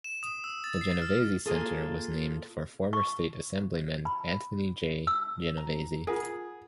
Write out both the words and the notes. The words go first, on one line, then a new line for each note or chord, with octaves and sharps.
The Genovesi Center was named for former state Assemblyman Anthony J. Genovesi.
E7
D#6
E6
A6
C7
F6
A#3 F4 G#4 A4
C#6
B5
E6
A#5
F4 G#4 A#4 F#5 D#6